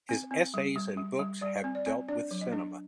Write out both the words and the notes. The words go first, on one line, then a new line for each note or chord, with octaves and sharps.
His essays and books have dealt with cinema.
C4
C4
G3
G3
G3
G3
G3 D5
C4
D5
C4
D4 D5
F#3
D#5
D4